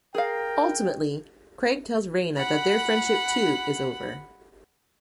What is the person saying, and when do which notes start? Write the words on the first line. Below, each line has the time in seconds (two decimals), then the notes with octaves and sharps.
Ultimately, Craig tells Raina that their friendship, too, is over.
0.15 G#4 A#4 F5 G5
2.37 F#5 B5